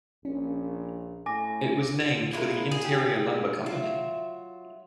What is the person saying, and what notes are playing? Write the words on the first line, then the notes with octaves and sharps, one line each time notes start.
It was named for the Interior Lumber Company.
A#1 C#4
A2 G#5 D6 A#6
G#3 E4 F4 A#4
G#4
G4
F#3 F4 E5